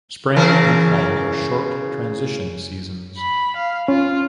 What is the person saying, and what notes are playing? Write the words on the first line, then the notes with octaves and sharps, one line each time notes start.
Spring and fall are short transition seasons.
C#3 E3 A#4
B5
F5
C#4 F4